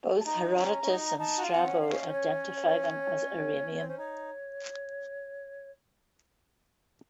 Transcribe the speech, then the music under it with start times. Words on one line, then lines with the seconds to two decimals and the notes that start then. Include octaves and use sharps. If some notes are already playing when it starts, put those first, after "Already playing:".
Both Herodotus and Strabo identify them as Iranian.
0.20 A5
0.26 D#4 A#5
0.56 C#4
0.83 C#4
0.88 D#4
1.19 D#4 A5
1.38 F#4
1.42 F4 F5
1.50 F#5
1.56 C4
1.65 C#4
1.81 F5
1.88 C#4
2.07 C5
2.12 C#5
3.78 C4
3.88 C#4 C5
3.98 D#4 C#5